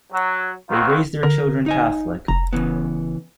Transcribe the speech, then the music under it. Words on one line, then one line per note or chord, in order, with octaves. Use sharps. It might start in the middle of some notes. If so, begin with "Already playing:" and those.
They raised their children Catholic.
F#3
D#3 F#3 B3 C4 F4 F#4
D3 A#4
D#4 D#5 G#5
F1 A#5
C#3 E3 B3